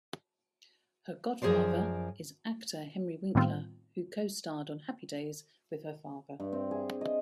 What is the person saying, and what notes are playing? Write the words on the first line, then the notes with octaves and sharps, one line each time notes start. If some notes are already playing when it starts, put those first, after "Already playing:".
Her godfather is actor Henry Winkler, who co-starred on "Happy Days" with her father.
F#2 F3 G#4 A#4 C5 D5
A2 D#3 G3 B3 C4 F4
G2
C4
G#4
D#5